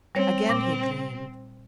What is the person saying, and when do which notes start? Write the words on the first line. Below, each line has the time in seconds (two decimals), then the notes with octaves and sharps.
Again he dreamed.
0.15 G3 C4 C#5
0.49 A#2 D6 A#6